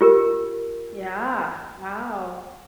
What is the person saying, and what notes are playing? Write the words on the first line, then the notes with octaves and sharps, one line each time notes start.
Yeah. Wow.
F4 G4 A#4